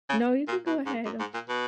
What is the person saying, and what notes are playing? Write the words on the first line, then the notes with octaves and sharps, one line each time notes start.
No, you can go ahead. I'm just
C#3
A#2
B2
G#2
F#2
G#2
A#2
B2